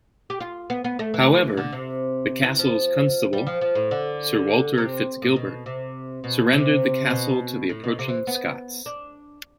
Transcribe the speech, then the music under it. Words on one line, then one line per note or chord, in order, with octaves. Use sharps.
However, the castle's constable, Sir Walter FitzGilbert, surrendered the castle to the approaching Scots.
G4
F4
B3
B3
A3
E3
D3
C3
E3
F3
G3
F3
F3
A2
D3
C3
A2
B2
C3
B2
C3
B2
A2
B2
C3
E3
B3
D4